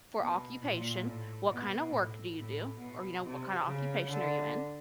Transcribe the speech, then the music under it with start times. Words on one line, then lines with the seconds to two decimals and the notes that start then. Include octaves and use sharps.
for occupation, "What kind of work do you do?" Or, you know, "What kind of occupation are you in?"
0.18 B2
0.61 A#2
1.03 A2
1.48 B2
1.90 A2
2.35 A2
2.78 B2
3.21 C3
3.64 C#3
4.09 D3